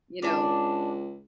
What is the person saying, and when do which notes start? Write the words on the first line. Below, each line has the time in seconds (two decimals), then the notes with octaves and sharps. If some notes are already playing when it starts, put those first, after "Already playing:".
you know
0.22 C#2 D4 D5